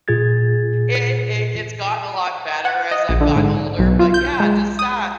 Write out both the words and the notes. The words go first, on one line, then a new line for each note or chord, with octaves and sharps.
it it it's gotten a lot better as I've gotten older, but yeah, just that,
A#2 F4 G#4 G#6 A6
F#5
D#5
A#1
D3
G#2
B1
F4
G6
G#3
D#6